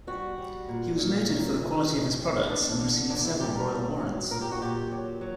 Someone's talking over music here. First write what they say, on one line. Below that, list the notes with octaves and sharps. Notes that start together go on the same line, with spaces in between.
He was noted for the quality of his products and received several royal warrants.
G3 F#4
G3
A#2
A#2
F#2
E3
F#2
G3
E2 D4
D3
E2 D4
E4
G3 G4
A#4
F#3
F#3
A#2 A#4
G4
F#4
A#2 G4
F#3
F#3